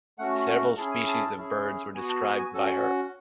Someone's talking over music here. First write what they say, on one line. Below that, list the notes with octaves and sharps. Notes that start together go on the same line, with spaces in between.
Several species of birds were described by her.
A3 C#4 F#4 F#5
F#5
C#4 E4 G#4 A5
G#5
A5
C#4 E4 G#4
B3 F#4 G#5
A5
G#5
G#5
C#4 F#4 A4
F#5